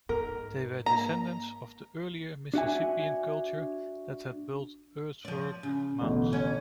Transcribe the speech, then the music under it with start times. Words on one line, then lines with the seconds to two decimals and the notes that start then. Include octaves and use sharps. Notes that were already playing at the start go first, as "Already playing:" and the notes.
They were descendants of the earlier Mississippian culture that had built earthwork mounds.
0.09 G#2 A#4
0.86 A#3 A#5
2.54 D4 F#4 E5 G#5
5.25 F3 D5
5.63 C#3
6.01 A1 B2 D3
6.33 C#4